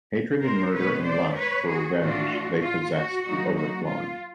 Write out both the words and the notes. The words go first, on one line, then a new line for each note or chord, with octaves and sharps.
Hatred and murder and lust for revenge they possessed to overflowing.
A#4 C5
B2 G#3 B3 B4 C#5
C5 D5
B4 C#5
F#4 G#4
A2 E3 A3 D4 F4 F#4
F4
F#4
F#3 A#3 D#4 F#4
F#4
F4